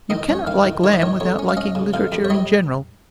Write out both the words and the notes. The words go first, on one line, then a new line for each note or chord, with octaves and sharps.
You cannot like Lamb without liking literature in general.
D#3 D#5
C#4 C#5
D#3 F5
D#3
D#3 C#5
D#5
D#3 C#5
F2 C#5
C#4
F5
C#4 D#5
C#3
F2 F5
F2
C#5
G3 D#5